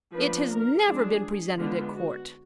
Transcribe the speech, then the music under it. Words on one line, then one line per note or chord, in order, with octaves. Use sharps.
"It has never been presented at court."
F3 B3 D4 B4
A#4
F3 G#3 D4 G#4
D3 G#3 B3 D4 F4
F#4